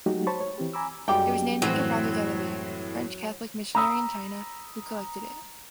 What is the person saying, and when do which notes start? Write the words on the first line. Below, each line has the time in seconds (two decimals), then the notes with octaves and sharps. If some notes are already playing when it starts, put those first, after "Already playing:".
It was named after Father Delavay, French Catholic missionary in China, who collected it.
0.06 F#3 G#3 A3 D#4 F#4 G4
0.27 C5 C#5 A5 B5 C#6
0.40 C#5
0.58 E3 C4 G4
0.73 G#5 A#5 B5 D6 E6
1.08 F#2 G3 G#3 G5 D6
1.62 A2 E3 F#3 C4
3.75 A#5 B5 D#6 E6